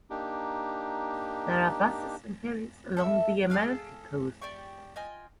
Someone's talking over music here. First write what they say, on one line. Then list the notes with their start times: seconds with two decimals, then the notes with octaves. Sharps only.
There are buses and ferries along the Amalfi Coast.
0.10 A#3 D4 D#4 G4
2.97 A4 E5 E6
3.50 G#4 A4 F5 F6
4.42 G4 D5 G5 C#6
4.96 F4 D#5 G5 G#5